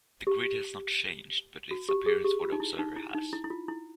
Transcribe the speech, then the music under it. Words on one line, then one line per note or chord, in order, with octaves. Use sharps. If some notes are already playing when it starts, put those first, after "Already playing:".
The grid has not changed, but its "appearance" for the observer has.
G4
F#4
G4
G#4
G4
F4
D#4
E4
D#4
E4
D#4
E4
E4
F4
E4